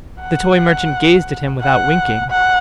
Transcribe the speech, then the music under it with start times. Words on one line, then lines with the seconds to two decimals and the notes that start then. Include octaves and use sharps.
The toy merchant gazed at him without winking.
0.21 F#5
1.61 F#5
2.30 F#5